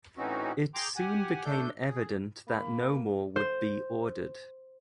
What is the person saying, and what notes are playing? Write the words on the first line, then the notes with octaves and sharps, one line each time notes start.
It soon became evident that no more would be ordered.
A2 E3 C4 C#4 D#4 F#4
G#4 G5 A#5 C6 D6 G6
G4 F#5 G#5
A3 D4 A4 G6
G#4
A#3 B5
C5